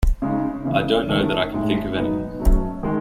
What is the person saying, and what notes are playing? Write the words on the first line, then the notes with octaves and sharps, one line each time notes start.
I don’t know that I can think of any.
C#3 G#3 D#4
C#3 E3 B3
D#3 A3 C#4 E4
A2 G#3 D#4
B2 F#3 B3 D#4
F#3 A3 C#4
D#3 G#3